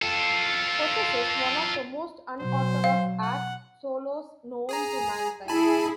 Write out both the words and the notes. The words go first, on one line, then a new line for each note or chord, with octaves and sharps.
Possesses one of the most unorthodox 'axe' solos known to mankind.
F4 A4
B2 F#3 C5
F5
F#5
G#4 G#5 A#5
E4 G#4 G#5 A5 B5